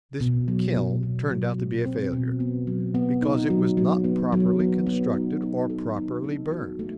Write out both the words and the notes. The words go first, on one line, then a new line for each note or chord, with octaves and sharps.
This kiln turned out to be a failure, because it was not properly constructed or properly burned.
B2
F#3
B2
B2
F#3
F#3
C4
B2
B3
F#3
B3
D#4
F#3
F#3
B3
F#3
B3
B3
D#4
D#4
A4
D#4
A4
F#4
A3